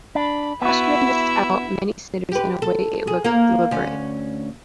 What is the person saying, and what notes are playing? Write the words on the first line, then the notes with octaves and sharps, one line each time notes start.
Austria missed out many sitters in a way it looked deliberate.
D4 B5
B3 E4 F#4 E5
G4 B4
A4
G#4
A#3 A#4
D2 C#4